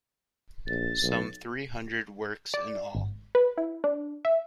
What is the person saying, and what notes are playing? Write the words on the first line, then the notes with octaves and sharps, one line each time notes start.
Some three hundred works in all.
A#1 A6
B1
D5
G#1
B4
E4
D4
E5